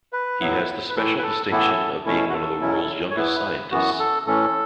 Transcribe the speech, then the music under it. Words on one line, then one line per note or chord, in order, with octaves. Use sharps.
He has the special distinction of being one of the world's youngest scientists.
B4
A2 F#3 B3 E4
B4
A2 E3 A3 E4 A4
B4
A4
A2 E3 B3 E4 A4
B2 A3 C#4 E4 A4
F#4
A4
B2 F#3 C#4 E4
C#5
E2 E3 B3 E4 B4
F#2 E3 B3 F#4
A4
A2 E3 A3 C#4 A4